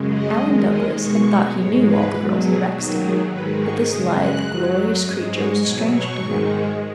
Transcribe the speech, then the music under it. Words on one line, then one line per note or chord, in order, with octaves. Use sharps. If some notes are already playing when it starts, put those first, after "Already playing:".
Alan Douglas had thought he knew all the girls in Rexton, but this lithe, glorious creature was a stranger to him.
Already playing: F#2 C#3 G#3
D#5
D#2 D#3 G#3
D#5
B2 G#3 C#6
G#2 G#3 C#5
B4
B2 F#3
G#4
D#2 D#3 F#3 F#4
G#4
G#2 D#3 G#3 B4
C#6
F#2 C#3 G#3 D#6
F#6
F#2 F#3
G#2 G#3 D#6
C#6
B2 F#3 G#5
C#6
G#2 D#3 G#3